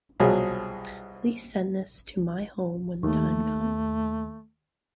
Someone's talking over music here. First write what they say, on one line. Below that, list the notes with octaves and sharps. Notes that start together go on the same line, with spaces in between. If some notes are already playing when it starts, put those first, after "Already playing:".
Please send this to my home when the time comes.
C2 B2 F3 F#3 G#4
D#2 A3